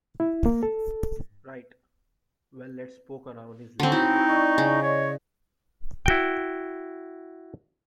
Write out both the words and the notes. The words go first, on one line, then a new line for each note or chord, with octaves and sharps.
Right, well let's poke around his lab a little.
E4
A#3
A4
D3 C4 C#4 F#4
D#4 E4
D5 D#5 C#6
C#3
C#5
E4 F#4 G5